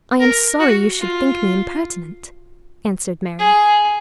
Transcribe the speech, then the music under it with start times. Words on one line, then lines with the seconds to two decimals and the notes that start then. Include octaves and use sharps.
"I am sorry you should think me impertinent," answered Mary.
0.20 A#4
0.59 F#4
0.99 F4
3.39 G#4